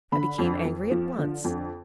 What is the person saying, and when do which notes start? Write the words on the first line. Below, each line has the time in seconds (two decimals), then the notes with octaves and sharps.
I became angry at once.
0.12 D3 B5
0.38 F2
0.65 F2
0.91 F3
1.18 D3
1.44 F2